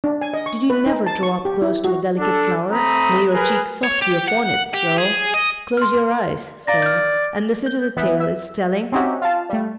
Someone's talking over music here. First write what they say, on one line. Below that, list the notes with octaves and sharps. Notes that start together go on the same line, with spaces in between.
Did you never draw up close to a delicate flower, lay your cheek softly upon it, so,--close your eyes, so,--and listen to the tale it's telling?
D4
G#5
D#5
C#6
B4
D#4
A5
C#6
G4
E4
F#4
D4 A4
A3 C4 A#5 B5 D#6
G#4 A#4 B4
C#5
G4
F#5
G4
G#4
D#5
C6 F6
D5 F5 A#5 A#6
F6 G6
G6
E3 B3 E5
E5
C4 C#4 D#4 F#4 G4 E5
F4 F5 A5
G3 A3